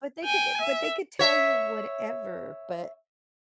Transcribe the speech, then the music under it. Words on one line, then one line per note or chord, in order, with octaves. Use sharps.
But, they could, eh but they could tell you whatever, but
G5 G#5
E5
C#5 E5